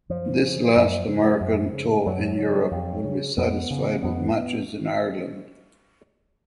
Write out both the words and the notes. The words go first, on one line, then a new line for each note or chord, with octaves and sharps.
This last American tour in Europe will be satisfied with matches in Ireland.
F#2 F3
C#3
F#2
C#3
F#2
C#3
F#2 F#3
C#3
F2
C#3
F2 B3
C#3
F2 B3